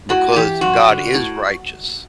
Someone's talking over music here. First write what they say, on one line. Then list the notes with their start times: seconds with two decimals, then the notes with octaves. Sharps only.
because God is righteous.
0.09 A2 F#4
0.36 E3 G4
0.61 F2 F#4
0.88 D3
1.14 A2